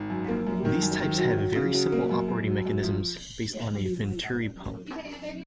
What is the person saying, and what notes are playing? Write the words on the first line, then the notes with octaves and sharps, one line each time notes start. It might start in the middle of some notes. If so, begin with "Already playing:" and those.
These types have very simple operating mechanisms, based on a venturi pump.
Already playing: G#1
F#2
A#3
F#2
D#3
F#2
D#3
F#3
F#3
C#3
F#3
A#3
F#2
F#2
F#3
F#2
F3